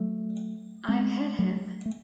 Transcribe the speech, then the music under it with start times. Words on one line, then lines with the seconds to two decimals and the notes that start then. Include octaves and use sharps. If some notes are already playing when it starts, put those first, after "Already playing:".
I've hit him.
Already playing: F#3 A3
0.88 G#3 C4
1.39 F#3 A3
1.86 A3